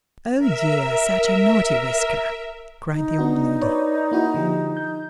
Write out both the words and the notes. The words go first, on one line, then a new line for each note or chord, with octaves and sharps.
'Oh dear, such a naughty Whisker!' cried the old lady.
A#4 E5
D#4
B3 D4 F#4
B4 C#5 D5
A#3 E4 F#4
D3 F3 G4
G6